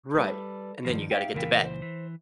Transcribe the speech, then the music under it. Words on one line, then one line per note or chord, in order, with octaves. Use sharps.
Right, and then you gotta get to bed.
G3 A4 B4
G2 D#3 F3
D#4 G4 E5 F5
C#2 A#2 E3 A#4 F5 G5
C5
E3